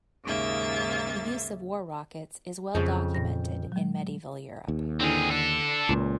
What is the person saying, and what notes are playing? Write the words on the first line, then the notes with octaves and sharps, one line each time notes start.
The use of war-rockets is well documented in Medieval Europe.
D#2 G#2 C#3 A#3 E5 A6
F2 C#3 F3 G#4
A#2 A#6
F#3 G#3
D#2
D3 E3 C4 G#4 F7
D4 A4
C#2 A#2